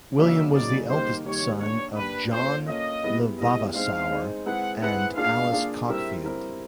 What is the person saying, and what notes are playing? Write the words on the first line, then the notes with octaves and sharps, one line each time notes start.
William was the eldest son of John le Vavasour and Alice Cockfield.
C#3 F#3 A#3 D#4 G#4 E5
C#3 F#3 A#3 D#4 G#4 D5
D#3 G3 A#3 D#4 G4 C5
D#3 G3 A#3 D#4 G4 C#5
A#3 D4 G4 C#5
A#3 D4 G4 B4
A#3 C#4 F4 A4 C5
A#3 C#4 F4 A4 D#5
G3 B3 E4 G#4
G3 B3 E4 G#4 D#5
G#3 C4 D#4 F5
G#3 C4 D#4
G#3 C4 E4 G#4 B4 F#5
G#3 C4 E4 G#4 B4 F#5
A#3 D4 F4 G#4 F5
A#3 D4 F4 G#4
G3 C4 E4 G4 A#4 E5
G3 C4 E4 G4 A#4